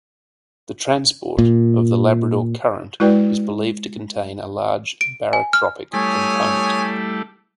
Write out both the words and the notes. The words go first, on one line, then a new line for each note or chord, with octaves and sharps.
The transport of the Labrador Current is believed to contain a large barotropic component.
A#2
G#3 E4 F#4 B4 D5 G5
D7
G#5
F6
G3 A3 E4 C#5 G#5 D#6